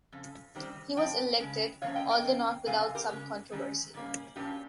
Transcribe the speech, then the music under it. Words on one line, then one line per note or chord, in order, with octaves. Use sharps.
He was elected although not without some controversy.
F2 C#3
C3 D#3 G3 C4
G2 F3 G5
C#3 G#3 C#4
C3 F3 A#3 C#4 C#5 F5
D#5 G5
D#5 G5
F2 D#3 A#3 C#4
C3 F3 G#3 C4 F5 G#5
G4 A#4
C#3 G#3 C#4
C3 D#3 G#3 C#4
G#2 G3 A#3 C#4
A#2 F3 A#3 C#4 D#4 G4